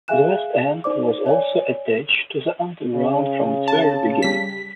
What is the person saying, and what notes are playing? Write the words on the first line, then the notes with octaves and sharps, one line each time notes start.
The Westend was also attached to the underground from its very beginning.
G#4 E5 F5 G#5 F#6 E7
D#4 C5 D5 D6
C#5 D5 G#5
C#3
A5
G3 B6